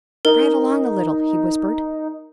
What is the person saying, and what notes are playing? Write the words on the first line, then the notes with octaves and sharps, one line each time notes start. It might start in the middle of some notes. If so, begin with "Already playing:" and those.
"Drive along a little," he whispered.
D#4 A#4